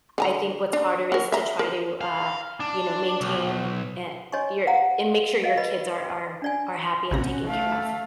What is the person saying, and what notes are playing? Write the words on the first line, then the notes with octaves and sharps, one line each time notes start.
I think what's harder is to try to, uh, you know, maintain, eh, your and make sure your kids are are are happy and taken care of.
D3 G#5 A#5
D4
F#4 A#4
E5 A#5
A#4
F5
D4
B1
C#5 D#5 G#5 C6 C#6
F5 F#5 A#5
D#5 F5
B4 D#5 B5
D4 D5 G#5
A#1 C3 C#4 F#4 A#5
A3 F5